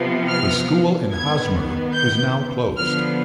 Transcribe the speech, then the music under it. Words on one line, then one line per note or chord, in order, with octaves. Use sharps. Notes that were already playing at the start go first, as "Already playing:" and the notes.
The school in Hosmer is now closed.
Already playing: C3 F3 B3
F6
D#3 B3 G#6
G6
D3 F3 B3 F6